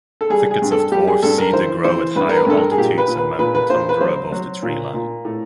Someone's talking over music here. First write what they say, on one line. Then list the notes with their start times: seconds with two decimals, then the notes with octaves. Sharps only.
Thickets of dwarf cedar grow at higher altitudes and mountain tundra above the treeline.
0.21 A4
0.30 G3 G#4
0.51 G#4
0.62 G2
0.72 A4
0.92 G3 G4
1.08 G#4
1.23 G2 A4
1.38 A#4
1.53 E3 C5
1.84 E3 C5
2.15 G2 B4
2.29 A#4
2.36 B4
2.46 G2 A4
2.57 A#4
2.72 G#4
2.78 A#2 G4
2.98 B4
3.08 A#2
3.18 B4
3.39 A#2 B4
3.55 B4
3.70 A#2 C5
3.89 B4
4.00 F#3 C5
4.32 F#3
4.63 A#2
4.94 A#2
5.25 A2